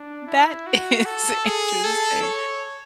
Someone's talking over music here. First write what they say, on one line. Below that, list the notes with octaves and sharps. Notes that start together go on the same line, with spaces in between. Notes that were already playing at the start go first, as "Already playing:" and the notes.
That is interesting.
Already playing: D4
E4
F#4
A4
G#4
A4
C#5